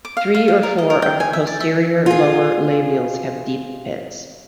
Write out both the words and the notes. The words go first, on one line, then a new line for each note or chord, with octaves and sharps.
Three or four of the posterior lower labials have deep pits.
D6
F5
F5
F5
A#4
D#5
A#4
G5
G#5
E5
D5
E5
F4 G#4